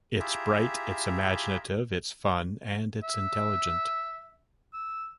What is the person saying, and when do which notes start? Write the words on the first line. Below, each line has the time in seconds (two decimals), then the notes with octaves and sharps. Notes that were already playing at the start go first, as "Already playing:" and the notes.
It's bright, it's imaginative, it's fun, and it's intelligent.
0.20 E4 F4 G4 G#4 E5 A#5
3.03 E5
4.73 E6